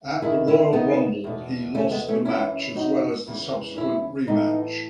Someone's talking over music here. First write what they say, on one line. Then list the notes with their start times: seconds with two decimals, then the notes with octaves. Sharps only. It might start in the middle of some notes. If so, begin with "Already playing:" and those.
At the Royal Rumble, he lost the match, as well as a subsequent rematch.
0.22 E2 D#3 E4 G#4
0.47 C#4 E4
0.73 B3 D#4
1.24 E2 B2
1.75 A3 C#4
1.91 G#3 B3
2.08 A3 C#4
2.25 F#2 E3 C#4 E4
2.76 D#4 F#4
3.27 E2 C#3 E3
3.77 C#4 E4
4.27 A2 E3 B3 D#4